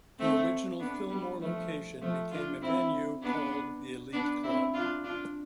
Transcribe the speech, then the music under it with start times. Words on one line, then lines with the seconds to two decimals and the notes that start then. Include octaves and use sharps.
The original Fillmore location became a venue called The Elite Club.
0.19 A3 C4
0.79 B3 D4
1.10 G3 B3
1.40 F3 A3
2.01 F3 A3
2.31 D4 F4
2.61 C4 E4
3.22 B3 D4
4.13 B3 D4
4.43 C4 E4
4.74 D4 F4
5.04 D4 F4